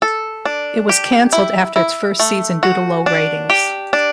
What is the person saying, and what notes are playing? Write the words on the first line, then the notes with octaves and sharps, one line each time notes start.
It was cancelled after its first season due to low ratings.
A4
D4
G4
E4
E4
A3
F#4
D4
G4
D4